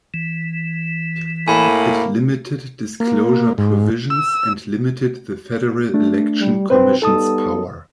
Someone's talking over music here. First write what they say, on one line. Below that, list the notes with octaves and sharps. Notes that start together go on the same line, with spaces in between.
It limited disclosure provisions and limited the Federal Election Commission's power.
E3
A2 A#3 G#5 B5
A#3
G#2
E6
A3 D4
G3
B1 C4 B4 C5
G3 B3 D#4 A4 A5 D#6